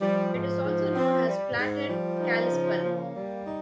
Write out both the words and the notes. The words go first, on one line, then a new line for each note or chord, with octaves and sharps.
It is also known as Flathead-Kalispel.
F3 G3
G#2
G#2
C4
G3
G#2
F3 G3
D#4
C#3
A#3
G3
D#4